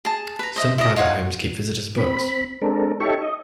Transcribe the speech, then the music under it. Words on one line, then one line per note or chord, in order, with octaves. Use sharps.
Some private homes keep visitors' books.
G#4 A5
B4 A#5
C5 D#5 E5
E4 D5 D#5
D#4 F4 C#5 F#5
C4 B5
G#3 C4 D4 A4 A#4
D#4 G4 A4 C#5 E5 C#6
D#5